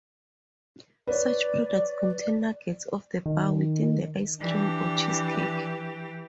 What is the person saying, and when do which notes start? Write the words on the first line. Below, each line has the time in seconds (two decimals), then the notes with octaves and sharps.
Such products contain nuggets of the bar within the ice cream or cheesecake.
1.07 B4 C#5 D5
3.26 D#3
4.39 E3 D4 G4